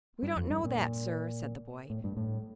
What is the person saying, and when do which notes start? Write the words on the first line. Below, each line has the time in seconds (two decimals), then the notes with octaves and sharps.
"We don't know that, sir," said the boy.
0.23 G2
0.36 F2
0.50 G2
0.64 A#2
1.90 A2
2.04 G2
2.17 A2